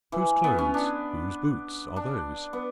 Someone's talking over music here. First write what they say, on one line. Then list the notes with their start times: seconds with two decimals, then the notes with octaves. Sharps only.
Whose clothes, whose boots, are those?
0.12 E3
0.44 B3
0.58 C#4
0.74 D4
1.96 D4
2.53 B3